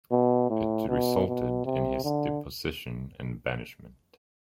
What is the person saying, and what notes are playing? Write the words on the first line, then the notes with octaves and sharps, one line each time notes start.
It resulted in his deposition and banishment.
B2
A2
B2
B2
C3
D3